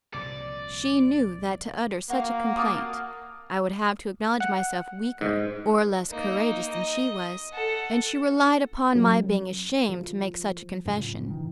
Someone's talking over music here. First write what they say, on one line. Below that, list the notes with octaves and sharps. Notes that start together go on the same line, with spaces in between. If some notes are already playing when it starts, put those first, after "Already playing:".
She knew that to utter such a complaint I would have to acknowledge myself weaker or less courageous than she was, and she relied upon my being ashamed to make such a confession.
C2 A#2 F3 D5
A#3 F#4 F5
F#4 A5 D6 D#6 F6
F#5
G#2
A#3 D#4
D#5
A4 F#5
F#2
F3
F#2 A2 C#3 F3
D#3 E3